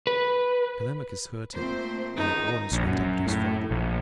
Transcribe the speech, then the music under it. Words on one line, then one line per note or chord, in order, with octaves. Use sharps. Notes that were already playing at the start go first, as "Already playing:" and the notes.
Telemachus heard him, and at once went up to his father.
B4
A#2 A3 C4 C5
C#2 D#3 D#4
A#1
F#2
A2
A#1